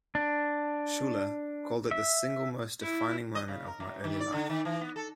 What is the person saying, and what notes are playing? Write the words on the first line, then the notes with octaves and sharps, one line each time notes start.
Schuller called it the single most defining moment of my early life.
D4
E5
E4
D#5
C#3
A#4
F#2
D#3
D5
D3
D#3
E3
B3
A4